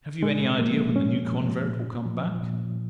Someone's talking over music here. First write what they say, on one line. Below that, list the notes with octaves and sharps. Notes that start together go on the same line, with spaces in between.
Have you any idea when the new convert will come back?
A#2 G#3
F3 A#3
A#2 C#4
F3
A#2
F3
A#2